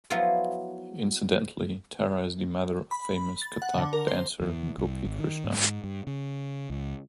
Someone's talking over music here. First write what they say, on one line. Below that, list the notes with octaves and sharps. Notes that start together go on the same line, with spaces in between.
Incidentally, Tara is the mother of famous kathak dancer, Gopi Krishna.
F3 F#3 B3 E4 F4
B5
A6
F#5
D3
A#4
C5
E2
C2
G#1
D#3
G#2
G2
C#3
C#2